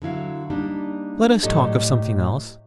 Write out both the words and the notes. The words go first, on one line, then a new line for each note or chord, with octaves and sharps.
Let us talk of something else.'
D3 F#3 E4 F5
G3 A#3 D4 D#4
A2 F#3 G4 A4 D5 D#5